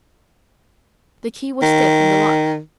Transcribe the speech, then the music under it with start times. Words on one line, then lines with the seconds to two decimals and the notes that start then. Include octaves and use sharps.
The key was stiff in the lock.
1.62 D#3